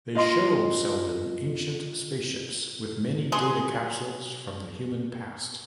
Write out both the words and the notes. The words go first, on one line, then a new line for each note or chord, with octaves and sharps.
They show Seldon ancient spaceships with many data capsules from the human past.
F4 D#5 C6
F#3 G#4 C6